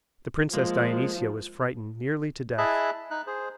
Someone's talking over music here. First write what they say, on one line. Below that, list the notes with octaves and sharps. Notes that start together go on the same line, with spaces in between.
The princess Dionysia was frightened nearly to death.
F3 G#3 A#3
E4 G#4 D#5 E5 A5 F#6
D#4 F#6
G#4 C5